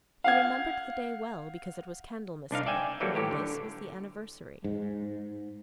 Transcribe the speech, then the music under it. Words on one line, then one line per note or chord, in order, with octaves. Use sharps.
He remembered the day well because it was Candlemas day, and this was the anniversary.
F5 F#5 G#6
C2 D4 D#4 F5
D5 E5 G5 G#5
E3 F#3 G3 A#3 A4
A2 G4 C#5 A#5
D3
G#2